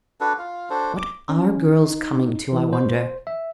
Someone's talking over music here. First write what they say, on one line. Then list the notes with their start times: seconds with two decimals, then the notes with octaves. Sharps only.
'What are girls coming to, I wonder?
0.21 D4 F#4 A4 B4
0.39 F4 F5
0.70 D4 F#4 A4 C5
0.97 D6
1.29 C#4
1.85 D#4
2.53 E3
2.73 C5
3.27 E5